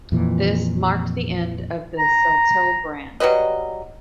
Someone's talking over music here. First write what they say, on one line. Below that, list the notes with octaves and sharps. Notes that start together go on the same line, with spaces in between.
This marked the end of the Celtel Brand.
F2 A#2 E3
A#5
F#3 G3 B4 D#5